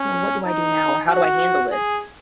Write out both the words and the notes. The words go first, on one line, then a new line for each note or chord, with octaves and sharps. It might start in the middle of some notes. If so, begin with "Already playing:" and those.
you know, what do I do now? Or, how do I handle this?"
Already playing: C#4
D#4
F#4
G#4